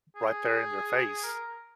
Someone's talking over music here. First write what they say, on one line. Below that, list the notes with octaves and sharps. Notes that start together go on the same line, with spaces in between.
right there in their face
G#4
A#4